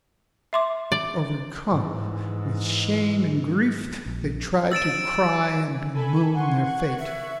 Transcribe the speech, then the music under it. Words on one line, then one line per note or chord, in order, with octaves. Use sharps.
Overcome with shame and grief, they tried to cry and bemoan their fate.
E5 C6 D6
D5
G#2 E3
A#1
E6 A6 D7 E7
A4 G#5 B5
F#5 G#5 C6 C#6
C#6 F#6 G#6
E5